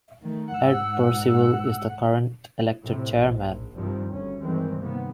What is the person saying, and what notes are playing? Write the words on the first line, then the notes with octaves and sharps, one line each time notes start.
Ed Percival is the current elected chairman.
D#3 A3
G#2 F#5 E6
A2 C3
A#1 G#2
G2 C3 D#3 F3 G3
G1 D2 C#4
G2 D#3 E3 G3 G#3 C4
C3 D#3 A#3 B3